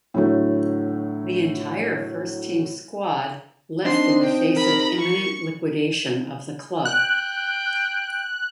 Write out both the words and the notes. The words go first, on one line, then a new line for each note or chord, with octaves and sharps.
The entire first-team squad left in the face of imminent liquidation of the club.
A2 D3 F#3 A3
C4 D4 D#4 D#5 C6
G5
A#4 A#5 B5
C#6 C#7
G5 F#6